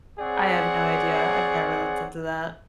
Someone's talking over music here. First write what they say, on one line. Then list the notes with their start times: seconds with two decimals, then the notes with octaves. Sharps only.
I have no idea; I've never looked into that.
0.20 C4 G#4 C#5 D5 F#5